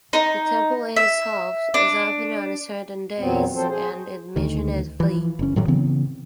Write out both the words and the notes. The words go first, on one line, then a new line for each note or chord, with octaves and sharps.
The temple itself is open on certain days, and admission is free.
D#4
E5
D4
E2 A#2 F#3 B3 C4
F3 C4 A4 C5
G#4 C5
D2 D#3
E3 F3
F#1 C#4
A2 D#3 F#3 G3
C#3 E3 B3 C4